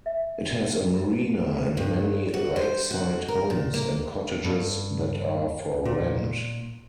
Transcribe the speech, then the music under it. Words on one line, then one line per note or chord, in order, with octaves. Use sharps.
It has a marina and many lakeside homes and cottages that are for rent.
E5
G2
F#4
C5
F#4
A#4
A#2
A#3
G2
A#2